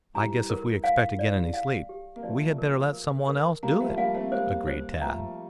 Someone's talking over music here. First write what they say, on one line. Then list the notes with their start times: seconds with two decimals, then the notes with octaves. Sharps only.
"I guess if we expect to get any sleep we had better let some one else do it," agreed Tad.
0.14 E3 G3 A#5
0.50 A#4
0.84 F5
1.19 D5
1.54 F5
1.89 G4
2.16 A#3
2.23 F3 A3 D5
2.58 A#4
2.93 A#4
3.28 A#4
3.63 G3 A#3 A#5
3.80 F3 A3
3.97 G3 A#3 F5
4.14 A3 C4
4.32 G3 A#3 C5
4.67 C5
5.01 F3 A3 A#5